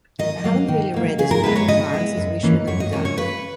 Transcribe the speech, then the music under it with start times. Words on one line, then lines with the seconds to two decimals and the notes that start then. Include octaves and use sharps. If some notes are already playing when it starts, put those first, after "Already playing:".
I haven't really read as much of Marx as we should have done.
0.19 D#3 D#5
0.44 F#3 A#3
0.68 D#3
0.94 F#3 A#3
1.18 C#3 G#4
1.31 A#4
1.43 G#3 B3 E4 B4
1.56 C#5
1.68 C#3 D#5
1.93 G#3 B3 E4
2.17 F#2
2.43 E3 A#3 C#4
2.67 F#2 C#5
2.80 D#5
2.92 E3 A#3 C#4 C#5
3.05 C#5
3.17 C#3 B4